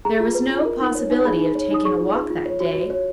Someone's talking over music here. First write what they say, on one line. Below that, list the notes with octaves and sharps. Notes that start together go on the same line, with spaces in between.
There was no possibility of taking a walk that day.
G#4 A#5
F4
B4
F4
A#4
D#4
C#5
D#4
G#4 B5
D#4
C#5
D#4 D#6
G#4 C#6
F4
B4
F4
C#5
F#4
F#4
C#5